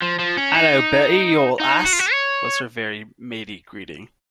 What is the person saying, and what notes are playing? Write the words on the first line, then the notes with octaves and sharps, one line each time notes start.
"Hallo, Bertie, you old ass," was her very matey greeting.
F3
F3
C#4
D#4
D#4
F#4
F4
F#4
C#5